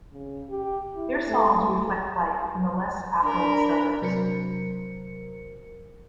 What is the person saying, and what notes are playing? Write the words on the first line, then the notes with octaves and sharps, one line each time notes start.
Their songs reflect life in the less affluent suburbs.
C#3
G4
E4
A3
D4 A#4 B5
C3 F#3 A#4 C5 C#7